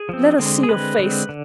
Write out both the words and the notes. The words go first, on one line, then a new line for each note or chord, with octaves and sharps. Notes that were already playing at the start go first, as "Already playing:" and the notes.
Let us see your face!
Already playing: G#4
F3 C4
D3 G#3 C4
G#4
D3 G#3 C4 B4
D3 G#3 C4
D3